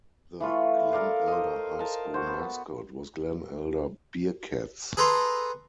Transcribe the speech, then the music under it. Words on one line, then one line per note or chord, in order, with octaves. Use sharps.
The Glen Elder High School mascot was Glen Elder Bearcats.
E3 A3 F4 C#6
A4 A#4 D5 F5
C5 D#5
A#4 A5
F#4 C5
B3
G#4 A4 B4 A#5 C6